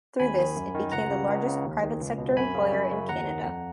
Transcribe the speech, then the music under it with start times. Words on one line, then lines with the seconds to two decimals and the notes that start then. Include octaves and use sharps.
Through this, it became the largest private sector employer in Canada.
0.19 D#2 G#5 B5
0.39 D#3
0.56 F#2
0.74 D#3
0.92 C#2 F#5 A#5
1.10 C#3
1.28 C#2
1.47 C#3
1.64 D#2
1.83 D#3
2.00 C#2
2.18 B2
2.36 F#2 G#5 B5
2.54 C#3
2.73 F#2
2.91 C#3
3.09 D#2 F#5 A#5
3.27 D#3
3.45 F2